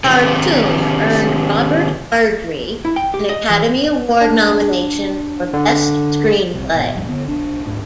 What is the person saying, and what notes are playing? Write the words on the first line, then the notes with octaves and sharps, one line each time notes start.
"Khartoum" earned Robert Ardrey an Academy Award nomination for Best Screenplay.
C3 D#3
E4
G5
G4
D#5
E3
D4
D3
C2
G#1 B2
D1 A#1 G2
D3 B3
B1 D4
D1 G#1 G#2